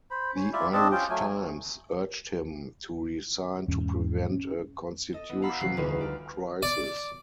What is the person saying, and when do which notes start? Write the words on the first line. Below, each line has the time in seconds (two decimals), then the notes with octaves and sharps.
"The Irish Times" urged him to resign to prevent a constitutional crisis.
0.11 C5 B5
0.36 C#5 G#5
0.53 E4 F4 D5 E5
0.73 C4 D4 D#5 A5
0.91 C#4 F4 G5
1.10 F#3 A3 G#5
3.68 E1 E2 G#2 C#4
4.32 C#4
5.13 A4 D#5
5.29 B3 E4
5.42 F5 F#5 A#5 B5 E6 A6
5.61 D#1 C2 F3 F#6 C7
5.77 D2 G3 D#4 F4 F#4 B4
6.01 D5 F6
6.63 D5